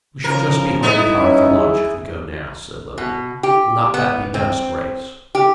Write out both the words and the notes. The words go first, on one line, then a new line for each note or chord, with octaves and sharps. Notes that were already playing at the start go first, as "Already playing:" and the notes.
"We shall just be home in time for lunch if we go now," said Lily. "Will not that be best, Grace?"
C#3 F3 A#4
G3 B3 D#4 E4
C#4
G#4
B2
G4
B3
C4
G4